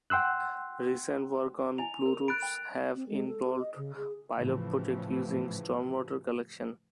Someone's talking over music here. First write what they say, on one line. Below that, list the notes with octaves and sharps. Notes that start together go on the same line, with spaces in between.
Recent work on blue roofs have involved pilot projects using stormwater collection.
F#5 G5 C6 E6 F#6
E4 D#5 G#5 F7
A4 A#4
B5 F#6 A6 D7
G5
C4
G#3
A4
G4
D#5
C#3
G#4
A2 C#3 E3 F3